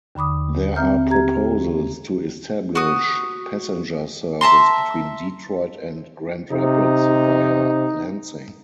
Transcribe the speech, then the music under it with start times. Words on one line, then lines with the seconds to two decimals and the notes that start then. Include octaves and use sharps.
There are proposals to establish passenger service between Detroit and Grand Rapids via Lansing.
0.15 D#2 D3 B5 D6 D#6
0.76 C4 E5 A#5 F6 G6
1.10 G4 A#5 G#6
2.75 F#4 D#6
4.41 E5 A5 A#5 C6
6.51 C3 D#4